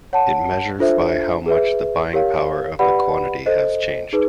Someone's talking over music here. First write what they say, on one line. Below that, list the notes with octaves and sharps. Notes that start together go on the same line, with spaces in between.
It measures by how much the buying power of the quantity has changed.
C#5 F#5 A5
D4 F4 A4 C5 E5
G#4 B4 E5
G4 A#4 C#5 F5
G4 B4 D5 F#5 B5
A4 C5 D#5
D#4 G#4 B4